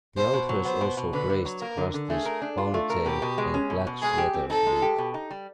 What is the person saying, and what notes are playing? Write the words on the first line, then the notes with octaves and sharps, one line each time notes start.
The authors also praised Krusty's "ponytail and black sweater" look.
B2 C5
B2
F#3
B3 C5
B2
B2
D3 B4
D3
F#3
A#3 A#4
D3
D3
A3 G#4
A#4
D4
F4
A3
A#4
B2 G4
B2
G#3
C#4
B2
B2
G#3 G#4
G4
C4
D#4 A4
G#3
G4
B2
D#4
G3